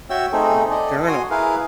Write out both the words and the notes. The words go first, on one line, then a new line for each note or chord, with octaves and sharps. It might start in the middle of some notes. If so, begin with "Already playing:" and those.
um, journal.
F#4 C#5 E5 G5 E6
A3 C4 D#4 G#4 A4
A4 D5 D#5
F#4 G#5 C6 D#6
E4 G#4 A#4 B4 F5